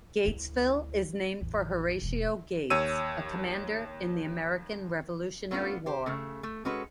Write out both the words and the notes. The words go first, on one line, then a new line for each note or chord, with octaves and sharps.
Gatesville is named for Horatio Gates, a commander in the American Revolutionary War.
D2 E4
A1 E2
E1 E2
D#2 C#5 E6 D#7
A3 B3 C#4 D4 F4
G4 C5
C#3 A3
A3
G#3 C#4 F#4 A4 B4